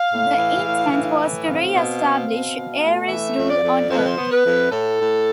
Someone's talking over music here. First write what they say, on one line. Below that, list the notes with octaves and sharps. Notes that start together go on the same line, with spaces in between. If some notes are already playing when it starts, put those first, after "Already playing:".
The intent was to re-establish Ares' rule on earth.
Already playing: F5
A2
E3
A2
E3
A2
C4 F5
B2
C4
B2
B2
A3
E3 E5
F2
D5
F2
F2 C5
B4
C5
B3
B4
F2
A2 A4
A2